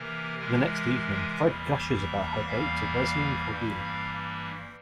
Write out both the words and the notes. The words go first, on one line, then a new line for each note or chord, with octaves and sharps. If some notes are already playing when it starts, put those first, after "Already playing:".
The next evening, Fred gushes about her date to Wesley and Cordelia.
Already playing: C3 E3 A#3 A#4
C3 E3 G#3 A#4
E2 E3 G3 A#3
E5
E2 E3 G3 A#3 F5
G2 E3 G3 A#3